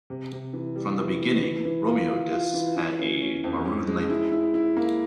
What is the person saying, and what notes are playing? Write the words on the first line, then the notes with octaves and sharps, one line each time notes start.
From the beginning, Romeo discs had a maroon label.
C3
C3
E3
G3
E3
E3
E3
E3
F4
F4
F4
E3
E3
C#4
C#4
F2
C#4
G#3
E4
E4
E4
A#3